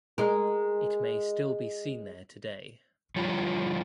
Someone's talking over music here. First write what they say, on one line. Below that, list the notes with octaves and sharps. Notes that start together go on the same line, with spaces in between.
It may still be seen there today.
G#3 A#4
D3 F3 G3 F4 C#5